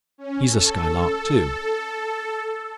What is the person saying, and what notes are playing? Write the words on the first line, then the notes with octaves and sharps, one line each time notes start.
He's a Skylark too.
C#4
A4